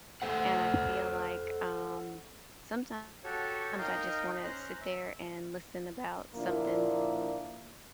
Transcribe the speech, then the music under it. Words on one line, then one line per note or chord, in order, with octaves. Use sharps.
And I feel like, um, sometimes I just wanna sit there and listen about something,
A4 C5 F#5
F#4 G4 A4 C#5
D#4 A#4 D#5 F5 G5
C#4 C5 A#5 F#6
E5
A#2 D3 F3 A#3 D4 E4